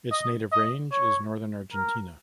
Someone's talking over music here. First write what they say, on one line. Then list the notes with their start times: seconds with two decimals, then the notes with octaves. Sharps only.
Its native range is northern Argentina.
0.11 D#5
0.52 D#5
0.92 C#5
1.73 A#4